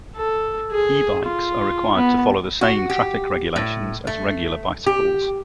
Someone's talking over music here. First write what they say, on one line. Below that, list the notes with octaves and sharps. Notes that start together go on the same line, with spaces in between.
E-bikes are required to follow the same traffic regulations as regular bicycles.
A4
G#4
F4
B3
F#4
G4
A2
A3
G4